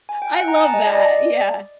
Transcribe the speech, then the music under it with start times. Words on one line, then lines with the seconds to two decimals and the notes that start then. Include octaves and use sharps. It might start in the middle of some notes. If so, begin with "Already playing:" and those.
I love that. Yeah.
0.09 G#5
0.22 G5
0.35 F#5
0.48 A#5
0.56 G#5
0.60 A5
0.74 D#5
0.87 D5